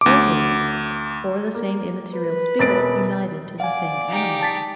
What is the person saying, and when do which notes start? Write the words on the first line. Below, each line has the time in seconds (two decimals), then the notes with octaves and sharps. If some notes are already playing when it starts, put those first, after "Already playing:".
Thirdly, or the same immaterial spirit united to the same animal.
0.01 D2 D6
1.55 A#3
2.14 B4
2.59 E1 A6 D7
3.60 D5 F5 F#5 G#5
4.09 D#4 G4
4.41 A5 A6 B6